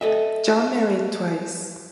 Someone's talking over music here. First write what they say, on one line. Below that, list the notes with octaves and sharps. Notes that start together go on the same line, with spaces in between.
John married twice.
A4 D#5 E5